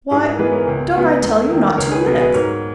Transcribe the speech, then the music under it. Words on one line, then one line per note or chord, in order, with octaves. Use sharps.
Why, don't I tell you, not two minutes.
G#2 E4 G#4
E4 G#4
A#4
E3 G#3 B3 G#4 B4
A#4 C#5
C#2
C#3 G#3 B3
E2
D#3 A#3
C#2 A#4 C#5
G#4 B4
B2 F#3 B3
G#4 B4
G#2 A#4 C#5